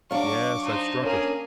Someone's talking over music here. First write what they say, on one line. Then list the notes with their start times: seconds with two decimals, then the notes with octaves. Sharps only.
Yes, I've struck it.
0.11 F#3 D4 F5 C#6 D6
0.64 D#4 C5
1.02 A#3 C#4 G#4 A#4